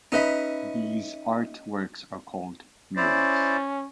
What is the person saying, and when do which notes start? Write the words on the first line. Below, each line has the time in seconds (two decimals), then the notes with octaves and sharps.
These art works are called "murals".
0.12 C#4 D#4 B4 D#5 E5 B5
2.97 C#4 E4 C5 D5